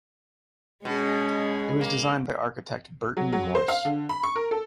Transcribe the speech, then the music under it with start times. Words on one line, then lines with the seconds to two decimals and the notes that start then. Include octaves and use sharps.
It was designed by architect Burton Morse.
0.85 B2 G#3 C#4 G#4
1.81 A#3
3.17 F#3
3.32 F#3
3.55 C5
3.68 F5
3.85 D3
4.09 B5
4.23 C#6
4.36 A#4
4.51 A4